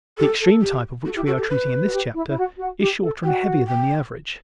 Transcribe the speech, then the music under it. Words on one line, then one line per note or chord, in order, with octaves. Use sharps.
The extreme type, of which we are treating in this chapter, is shorter and heavier than the average.
G4 A4
A4
G4
F#4 A4
E4 G4
F#4 A4
G4
B4
F#4
G4
E4
E4
F#4
F#4
G4
A4
F#4 G5
G5